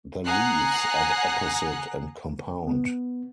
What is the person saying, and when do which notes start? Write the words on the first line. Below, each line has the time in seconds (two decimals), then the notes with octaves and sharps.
The leaves are opposite and compound.
0.25 F#5 G#5 A#5 D#6 F#6 C7
2.67 B3